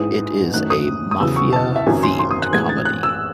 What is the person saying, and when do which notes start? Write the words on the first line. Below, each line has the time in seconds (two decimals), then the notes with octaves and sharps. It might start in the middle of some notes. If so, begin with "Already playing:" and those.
It is a mafia-themed comedy.
Already playing: A1 G#2 E3 G#3 D#6
0.53 F#2 D#3 A3 F#6
0.70 D#6
1.11 D#6
1.20 E2 C#3 F#3 E6
1.36 C#6
1.53 A5
1.76 E5
1.86 G#1 F#2 D#3 F#3 G#5
2.03 C6
2.19 C6
2.31 D#6
2.42 F#6
2.53 A1 A2 G#3 G#6
2.69 A6
2.85 F#6
3.03 E6